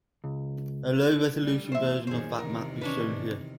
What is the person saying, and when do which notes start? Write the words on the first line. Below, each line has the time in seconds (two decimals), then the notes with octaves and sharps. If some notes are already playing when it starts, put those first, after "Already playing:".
A low resolution version of that map is shown here.
0.24 C#2
1.41 D3 G3 A3
1.72 E3 A#3 C5 E5
2.07 F#2 A#2 D#3 G#4 C5
2.38 E2 C3 D#3 A#4
2.81 C#4 D4 B4